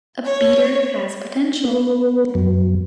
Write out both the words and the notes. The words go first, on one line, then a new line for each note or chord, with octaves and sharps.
A beater has potential.
C#5
B3
F#2